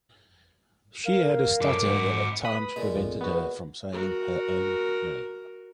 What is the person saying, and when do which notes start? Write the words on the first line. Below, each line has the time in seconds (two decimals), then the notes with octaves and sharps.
She had a stutter that at times prevented her from saying her own name.
1.05 A#4 F5
1.61 F#2 A4 D6
1.83 G#2 F#4
2.45 B4 B5 D#6
2.76 A#2 G#3
2.96 A#1 F2
3.21 B3 F#4
3.92 F#4 A#4